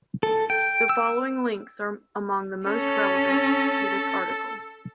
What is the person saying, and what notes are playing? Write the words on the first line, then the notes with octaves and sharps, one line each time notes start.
The following links are among the most relevant to this article.
A4
G5
E6
C#4 A4